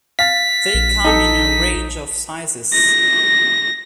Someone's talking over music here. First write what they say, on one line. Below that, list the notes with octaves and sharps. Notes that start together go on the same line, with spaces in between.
They come in a range of sizes.
F5 A6 B6
A#1
D#4 A4
A#6